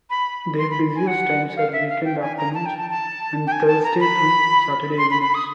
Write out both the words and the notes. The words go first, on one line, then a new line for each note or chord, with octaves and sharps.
Their busiest times are weekend afternoons and Thursday through Saturday evenings.
B5
C6
B5
G#5
F#5
F5
E5
F5
G5
G#5
A#5
A5
G5
A5
A5
G5
G#5
A5
A#5
B5
C6
B5
B5
D#6